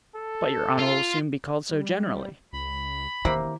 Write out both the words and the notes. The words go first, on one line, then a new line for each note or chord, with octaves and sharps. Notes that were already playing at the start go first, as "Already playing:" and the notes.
"But your honor will soon be called so generally."
A4
F4
G3
C#2 B5
E1 C3 D#3 A#3 E4